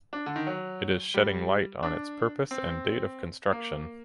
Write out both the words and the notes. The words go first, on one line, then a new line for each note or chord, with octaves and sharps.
It is shedding light on its purpose and date of construction.
D4
D3
D#3
F#3
G3
D4
C4
A#3